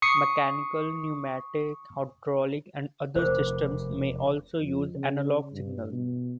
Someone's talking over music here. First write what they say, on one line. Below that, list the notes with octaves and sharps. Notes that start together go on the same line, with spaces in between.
Mechanical, pneumatic, hydraulic, and other systems may also use analogue signals.
C#6 D#6 C7 C#7
F1 E2 A4 A#4 C5 D6
F2
C#3
G2
B2